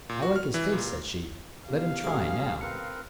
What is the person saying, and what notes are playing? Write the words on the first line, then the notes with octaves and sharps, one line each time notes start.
"I like his face," said she; "let him try, now."
A#2
F#4
F6
E3
A#2
B3 D4 G4 F5
A1 G#3 C#4 D4 E4 F#4 G#4 D6
C4 A#4 B4 C#7